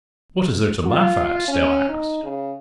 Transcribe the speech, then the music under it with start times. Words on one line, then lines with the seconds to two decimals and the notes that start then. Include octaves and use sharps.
"What is there to laugh at?" Stella asked.
0.86 F4
1.48 C#4
1.89 D#4
2.23 C#3